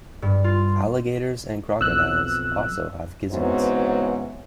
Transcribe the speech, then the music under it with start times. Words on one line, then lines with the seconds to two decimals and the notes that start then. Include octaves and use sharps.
Alligators and crocodiles also have gizzards.
0.22 G2
0.44 F4
1.81 B1 F2 E6 F#6
3.31 G#2 C#3 E3 F#3 B3 C4